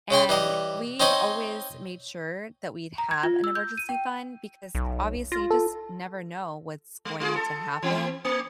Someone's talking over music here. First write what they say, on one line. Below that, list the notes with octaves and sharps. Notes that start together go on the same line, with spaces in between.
and we've always made sure that we'd have an emergency fund because, obviously, you just never know what's going to happen.
C#3 C#4 G5 C6
E3 G3 D#5
C4 D#4 C5 C#5 D#5 B5
A#5
G#6
F4
E6
G6
D#7
G5
B1
F4 A#6
A4
G#3
G#3 F4 G#4
A4
E3 C4
A#3